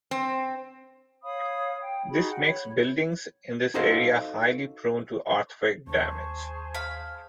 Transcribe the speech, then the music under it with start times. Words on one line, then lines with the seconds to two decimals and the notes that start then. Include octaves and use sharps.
This makes buildings in this area highly prone to earthquake damage.
0.11 C4
1.23 C#5 F5 B5 D#6
1.80 G5
2.10 D#4 F#4 G#4 B5
2.30 F#5 G5
2.46 C#5 B5
3.74 D#4 F#4 A4 C5 D#5 F5
5.87 D#2 G#4 C5 A5 C#6
6.74 F5 B5